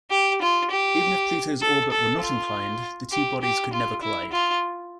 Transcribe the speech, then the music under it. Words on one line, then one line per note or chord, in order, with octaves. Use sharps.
Even if Pluto's orbit were not inclined, the two bodies could never collide.
G4
F4
G4
A4
A4
F4
G4
G4
F4
E4
F4